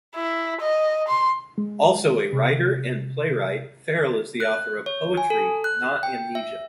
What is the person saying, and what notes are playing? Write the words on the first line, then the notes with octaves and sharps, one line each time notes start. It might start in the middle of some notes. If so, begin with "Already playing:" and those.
Also a writer and playwright, Farrell is the author of "Poetry Not Amnesia".
E4
D#5
C6
G#3
C3
F#6
C#5
G#5
A4
F#6
G5
E5